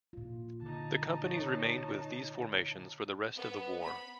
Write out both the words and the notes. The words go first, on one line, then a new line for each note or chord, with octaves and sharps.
The companies remained with these formations for the rest of the war.
A#2 F4
D3 D#4 A5
C#5
B3
B5